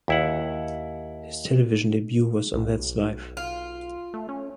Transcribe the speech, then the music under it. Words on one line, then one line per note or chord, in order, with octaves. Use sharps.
His television debut was on That's Life!
D#2 E4 F#5
B1
F4
A3
C#4